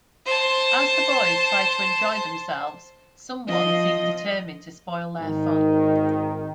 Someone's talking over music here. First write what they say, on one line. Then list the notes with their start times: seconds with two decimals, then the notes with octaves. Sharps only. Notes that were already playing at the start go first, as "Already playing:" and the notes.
As the boys try to enjoy themselves, someone seems determined to spoil their fun.
0.26 C5 A5
3.47 F3 D#5
5.19 G#1 D#3